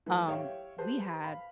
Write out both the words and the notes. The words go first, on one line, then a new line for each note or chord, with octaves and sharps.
um, we had
E3 F#3 A3
G4 C#5 E5 F5 G5
G4 G#4 B4 C5 A5
F5 B5